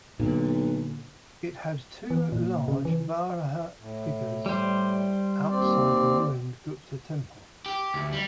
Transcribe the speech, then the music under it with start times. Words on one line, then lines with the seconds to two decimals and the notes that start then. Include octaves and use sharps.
It had two large Varaha figures outside the ruined Gupta temple.
0.19 B1 A#2 D3
2.10 E3
2.32 A#2
2.68 C#3
2.85 E3
3.79 A2
4.46 G3 C5
5.51 D#2 C4 D5
7.66 G4
7.94 D2
8.13 G3